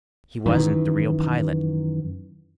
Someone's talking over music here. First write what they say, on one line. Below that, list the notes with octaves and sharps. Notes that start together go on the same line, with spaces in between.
He wasn't the real pilot.
F#2 D#3 E3